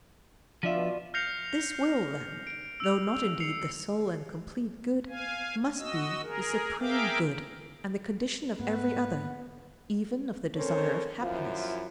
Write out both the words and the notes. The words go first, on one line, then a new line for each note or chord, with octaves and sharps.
This will then, though not indeed the sole and complete good, must be the supreme good and the condition of every other, even of the desire of happiness.
B2 F3 D4 F4 D5 E5
F6 G6 A#6 C7 C#7 F7
D7
E6 F7
C7 C#7 F7
F5 G#5
F#4 D#5 E6
G#4 A#4
G#4 A#4 E5 F5 G5 D6
G#2 A#3 B3 B4 F#5
C4 C#4 A4 A#4 C5 C#5
F#2 F3 E4 F4